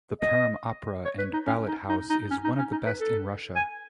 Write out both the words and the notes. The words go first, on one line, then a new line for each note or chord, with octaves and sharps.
The Perm Opera and Ballet House is one of the best in Russia.
D#5
C#5
B4
D#4
C#4
D#4
D#4
D#4
C#4
D#4
C#4
D#4
B4
A4
G#5